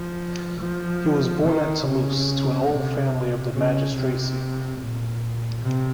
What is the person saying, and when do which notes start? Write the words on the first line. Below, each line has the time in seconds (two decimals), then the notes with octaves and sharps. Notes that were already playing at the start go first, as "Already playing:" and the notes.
He was born at Toulouse to an old family of the magistracy.
Already playing: F3
0.60 F3
1.44 D#3
1.86 C#3
2.69 C3
3.53 C#3
3.94 C3
4.79 A#2
5.62 C3